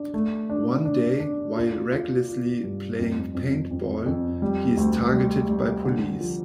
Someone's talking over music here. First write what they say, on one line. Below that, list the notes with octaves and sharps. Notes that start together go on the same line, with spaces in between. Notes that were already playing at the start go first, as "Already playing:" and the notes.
One day, while recklessly playing paintball, he is targeted by police.
Already playing: D4
A3
D4
D4
D4
F4
F4
F4
G2
F2
F2
F2
F2
G3
D2
G3
G3
D3
F3